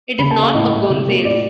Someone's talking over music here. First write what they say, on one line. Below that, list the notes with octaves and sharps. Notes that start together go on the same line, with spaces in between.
It is north of Gonzales.
C#3 B5
A5
A#3
F5
A2 D#5
A3
C3
A#3
A2 D5